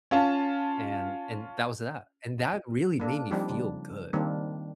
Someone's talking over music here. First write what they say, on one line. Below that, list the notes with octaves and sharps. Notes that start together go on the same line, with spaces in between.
and and that was that, and that really made me feel good.
C#4 F4 A5
A#3 D4 A4
F3 G3 C4 D4 D#4 G4
C#3
D#3 G3 A#3 C4 D4